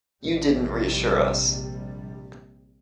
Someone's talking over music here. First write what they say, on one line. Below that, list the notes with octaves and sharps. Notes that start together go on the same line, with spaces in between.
You didn’t reassure us.
A#1 C3 G3